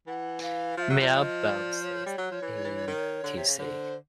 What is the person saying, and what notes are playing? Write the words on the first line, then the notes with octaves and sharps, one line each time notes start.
Mail Boxes Etc.
E3 F#5
F5
F3 E5 F5
F#3
F3 D5
D#5
D5
C#5
G3
F#3
F3
E3
E3
D#3
D3
C3
C#3
D3 C5 C#5